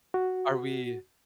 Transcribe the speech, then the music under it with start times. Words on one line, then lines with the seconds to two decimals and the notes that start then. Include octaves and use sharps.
are we
0.14 F#4